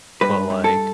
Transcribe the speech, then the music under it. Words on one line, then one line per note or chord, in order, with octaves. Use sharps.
but, like
G2 B4
G2
A4